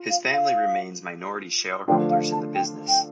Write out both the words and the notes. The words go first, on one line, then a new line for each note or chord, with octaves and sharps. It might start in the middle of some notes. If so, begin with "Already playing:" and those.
His family remain minority shareholders in the business.
Already playing: F4
F5
F5
D3 F3 A3 D4 F4 G5
F5
A5
G5
G5